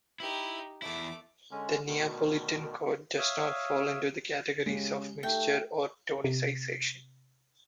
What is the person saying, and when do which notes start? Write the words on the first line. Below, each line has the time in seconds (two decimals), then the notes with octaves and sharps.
The Neapolitan chord does not fall into the categories of mixture or tonicization.
0.20 D#4 E4 G4
0.82 E2 A3 E4 D6
1.51 D3 G#3 C#4
1.87 D2 B2 D#3
3.18 C#5 E5 F5 D#6 E6
4.66 C#3 G#3 G4
5.23 A3 D#4 G4 G5 G7
6.24 C3